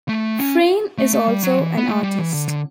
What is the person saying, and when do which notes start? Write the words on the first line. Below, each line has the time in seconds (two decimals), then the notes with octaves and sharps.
Frayne is also an artist.
0.09 A3
0.39 C#4
0.98 A3
1.13 A3
1.28 G3
1.43 F#3
1.59 E3
1.77 B3
1.88 A3
2.03 G3
2.18 E3
2.34 D3
2.48 D3